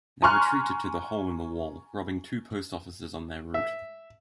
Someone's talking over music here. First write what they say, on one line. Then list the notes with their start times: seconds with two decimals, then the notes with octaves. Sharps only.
They retreated to the Hole-in-the-Wall, robbing two post offices on their route.
0.22 G#5 A#5 C6 C#6 F6 F#6
3.54 E5